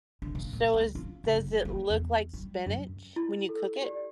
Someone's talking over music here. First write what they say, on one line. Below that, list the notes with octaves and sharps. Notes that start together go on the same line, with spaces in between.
So is does it look like spinach when you cook it?
D3
A#2
A#2
C#2
F4
C#3
F#1
A#3
E2
G3
F#2
E4
A4
G4 D5